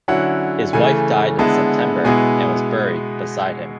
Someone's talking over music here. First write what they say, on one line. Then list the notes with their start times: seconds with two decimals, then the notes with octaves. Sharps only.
His wife died in September and was buried beside him.
0.08 D3 F#3 C#4 E4 F#5
0.73 C#3 E3 A3 G#5
1.39 D3 G#3 B3 E4 A5
2.04 B2 G#3 B3 E4 G#5